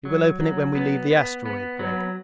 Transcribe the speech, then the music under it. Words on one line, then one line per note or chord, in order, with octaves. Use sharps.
We will open it when we leave the asteroid, Gregg.
F#3
F#3
B3
B3
B3
F#3